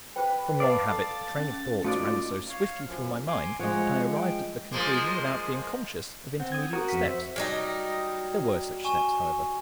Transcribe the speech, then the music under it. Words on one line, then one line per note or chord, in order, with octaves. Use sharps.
From long habit the train of thoughts ran so swiftly through my mind, that I arrived at the conclusion without being conscious of intermediate steps. There were such steps, however.
G#4 B4 C5 G5
D5 F5 A5
A4 A6
C#4
A3 D#4 F4 F#4 C5 D5 D#5
C#5 F5
F#2 F3
G#5 C6 D6
F3 G#3 C#5 F#5
G5
F3 G#3 A#3
C4 F#5
D#6 G#6
F#4 A#4 D#6
F2 B6
C5 E5
F#3 G3 D#4 F6
G#5 C#6 E7